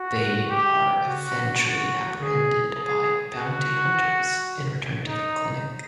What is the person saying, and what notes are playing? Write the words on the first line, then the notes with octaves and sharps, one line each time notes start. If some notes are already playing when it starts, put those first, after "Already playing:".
They are eventually apprehended by bounty hunters and returned to the Clinic.
Already playing: F#4
G4
F#4
F#4
G#4
G#4
F#4
D#4